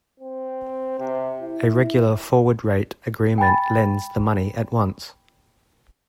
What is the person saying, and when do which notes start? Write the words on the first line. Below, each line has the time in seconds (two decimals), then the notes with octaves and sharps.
A regular forward rate agreement lends the money at once.
0.20 C4
0.99 C3
1.42 E4
3.38 G5 G#5 B5 A6